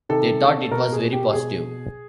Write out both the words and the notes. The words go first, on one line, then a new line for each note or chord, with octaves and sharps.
They thought it was very positive.
C3 D#3 A4
B2 A#4
G#4
G4
B2 G#4